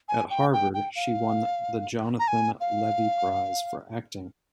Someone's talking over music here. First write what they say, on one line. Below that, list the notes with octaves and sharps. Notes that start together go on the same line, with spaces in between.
At Harvard, she won the Jonathan Levy Prize for acting.
G#5
G5
G5
G5
F5
A#5
G#5
F5